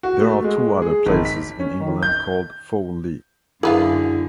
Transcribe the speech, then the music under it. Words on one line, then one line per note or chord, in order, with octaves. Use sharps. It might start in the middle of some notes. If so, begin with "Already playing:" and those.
There are two other places in England called Fawley.
F#4
A3
G#3
G#4
G#1
B6
C#4
D#3
G6
F#2 D3 A#3 B3 E4 G#4 F5